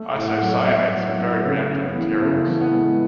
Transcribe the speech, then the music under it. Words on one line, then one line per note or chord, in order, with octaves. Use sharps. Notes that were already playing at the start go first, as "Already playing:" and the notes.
Isocyanates are very reactive materials.
Already playing: A3
A2
F#5
F#3
C#5
D5
F#3 E5
C#5
F#3
C#5
A3
E4
C#3 C#4
C#3
B3
E3
C#3 A3
E3
B3
G#3